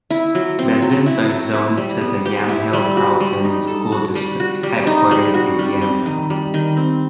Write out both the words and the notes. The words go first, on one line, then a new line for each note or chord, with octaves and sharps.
Residents are zoned to the Yamhill Carlton School District, headquartered in Yamhill.
E4
F#3
C4
F#3
E4
F#3
E4
G3
B3
G4
E4
G3
F#4
G3
D#4
A4
F#4
G3
F#4
G3
D#4
G3
F#4
G3
C4
D#3
G3
D#3
C4